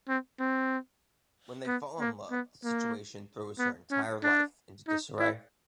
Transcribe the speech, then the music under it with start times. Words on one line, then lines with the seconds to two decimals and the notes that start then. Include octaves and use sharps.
When they fall in love, the situation throws her entire life into disarray.
0.08 C4
0.39 C4
1.67 B3
2.00 A#3
2.31 B3
2.64 A#3
3.59 B3
3.91 C#4
4.23 D4
4.88 D#4
5.19 E4